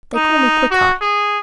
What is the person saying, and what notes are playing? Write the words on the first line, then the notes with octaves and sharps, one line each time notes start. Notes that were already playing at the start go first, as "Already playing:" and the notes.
They call me Quickeye.'
D#4
F#4
G#4